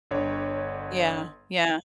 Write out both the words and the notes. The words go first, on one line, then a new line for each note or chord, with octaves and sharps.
Yeah. Yeah.
G1 D3 C#5